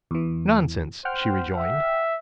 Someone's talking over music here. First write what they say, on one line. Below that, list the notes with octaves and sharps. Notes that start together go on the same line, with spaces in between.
"Nonsense," she rejoined.
E2 E3
C5 F#5 G5 F6
E5